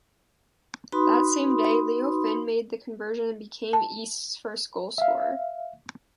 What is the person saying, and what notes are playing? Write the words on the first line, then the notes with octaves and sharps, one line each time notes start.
That same day, Leo Finn made the conversion and became Easts first goal scorer.
D#4 F#4 B4 B5 C6 D#6
A5
E5 F5